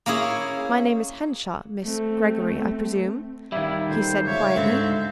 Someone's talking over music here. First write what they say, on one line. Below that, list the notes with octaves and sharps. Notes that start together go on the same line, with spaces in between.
"My name is Henshaw, Miss--Greggory, I presume," he said quietly.
A#3 C#4 E4 G#4
A3 C4
D#3 G3 E4 E5 F5 G#6
D#1 C5
C#2 C#5 E5 F5
D2 G#2 D3 C4